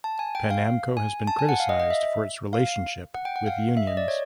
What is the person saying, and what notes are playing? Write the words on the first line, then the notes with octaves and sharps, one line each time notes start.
Panamco has been criticized for its relationship with unions.
A5
G#5
G5
F5
G#5
A5
G#5
F#5
F5
D#5
D#5
E5
F5
F#5
G5
F#5
F5
E5
D#5
D5
C#5